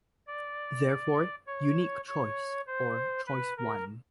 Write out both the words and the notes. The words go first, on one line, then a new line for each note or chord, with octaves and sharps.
Therefore Unique Choice or Choice One.
D5
C#5
C#5
C5
B4
A#4